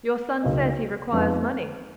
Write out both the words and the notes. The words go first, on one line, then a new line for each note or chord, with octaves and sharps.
"Your son says he requires money."
C#2 C#3 F#3 A#3 D#4
F2 F3 G#3 B3 D#4